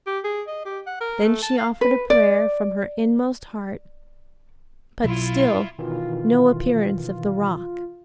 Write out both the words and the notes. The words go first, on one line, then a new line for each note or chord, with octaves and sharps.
Then she offered a prayer from her inmost heart, but still no appearance of the rock.
G4
G#4
D#5
G4
F#5
A#4
A3
A5
F5
B4
D5
B2 F#3 E4 F4
B2 D#3 E3 F4